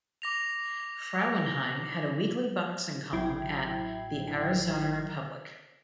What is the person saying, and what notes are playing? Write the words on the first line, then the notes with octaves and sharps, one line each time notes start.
Frauenheim had a weekly boxing column at "The Arizona Republic".
D6 A#6 F7
A1 F#3 E4 G5 G#6 C7